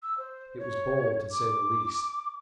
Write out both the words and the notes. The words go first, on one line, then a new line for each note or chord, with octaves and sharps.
It was bold, to say the least.
E6
C5
C#5
D6